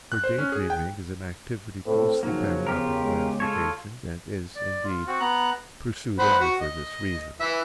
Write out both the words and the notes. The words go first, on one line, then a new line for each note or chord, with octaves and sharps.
For day dreaming is an activity closely bound up in gratification and is, indeed, pursued only for this reason.
F#6
C5
C#4
G#4
G5
A2 C4 A4
C#3 F3 F#3 A#3 D#4
B3 F4 G4 A#4
G#3
F4 A4 C#5
D5
F4
C4 F#4
B3 A#5 F#6
C5 F#5 B5
F#4
D#5
E3 E5